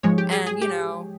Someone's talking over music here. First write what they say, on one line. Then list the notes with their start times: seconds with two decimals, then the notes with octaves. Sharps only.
And, you know,
0.03 G#2 F3 G#3 C#5
0.18 G4
0.32 G#4
0.47 G#4
0.61 G4